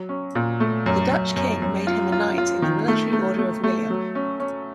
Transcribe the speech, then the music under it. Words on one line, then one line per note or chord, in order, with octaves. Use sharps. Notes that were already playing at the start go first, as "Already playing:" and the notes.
The Dutch King made him a Knight in the Military Order of William.
Already playing: F#3
C#4
A#2
A3
F#2
F#2
F#2
F#2
F4
F4
F4
D#3
A3
A3
A3
A3
F#3
C#4
C#4